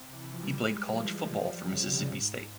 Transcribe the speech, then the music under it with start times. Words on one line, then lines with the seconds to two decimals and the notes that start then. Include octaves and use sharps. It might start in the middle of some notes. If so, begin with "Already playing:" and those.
He played college football for Mississippi State.
Already playing: C3
0.13 E3
0.23 E3
0.33 F3
0.43 G3
0.54 G3
0.66 G#3
0.80 G3
0.93 F3
1.03 E3
1.13 F3
1.23 E3
1.33 F3
1.46 G3
1.59 F3
1.73 C#3
1.92 C3
2.12 G#2